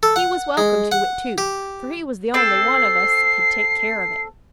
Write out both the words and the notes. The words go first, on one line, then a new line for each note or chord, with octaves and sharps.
He was welcome to it too, for he was the only one of us that could take care of it.
A4
F#5
G#3
F#5
G4
C4 A4 C7